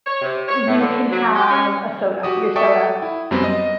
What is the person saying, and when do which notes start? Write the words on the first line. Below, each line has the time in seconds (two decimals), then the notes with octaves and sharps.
you can have a soda your soda,
0.06 C#5
0.22 C3
0.48 C#5
0.67 A2
0.80 D3
1.11 F#3
1.35 G4
1.50 C#4
2.23 F#4 G4 D#6
2.56 A4 D5 E5 G5 C#6 D#6
3.02 E4
3.31 F#2 G3 B3 C4
3.44 D#5